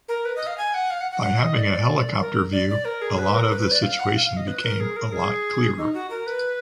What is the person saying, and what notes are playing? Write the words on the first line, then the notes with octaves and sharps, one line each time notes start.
By having a helicopter view, a lot of the situation became a lot clearer.
A#4
B4
D#5
F5
G#5
F#5
F5
F#5
F#5
F#5
D#5
D5
A#4
D5
D5
A#4
G#4
B4
A#4
B4
B4
D5
F5
F#5
F5
F5
D#5
B4
A#4
G#4
A#4
G#4
D#4
F#4
A#4
B4